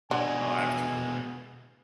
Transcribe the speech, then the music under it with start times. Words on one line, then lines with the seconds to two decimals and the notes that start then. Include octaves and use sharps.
Oh, absolutely.
0.11 B2 D3 G#3 G#5